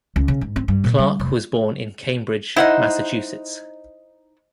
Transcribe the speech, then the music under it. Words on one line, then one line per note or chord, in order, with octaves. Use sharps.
Clarke was born in Cambridge, Massachusetts.
C#2
C#3
G#2
C4
G2
A#2
G3
F1
D#4 E4 C5 F#5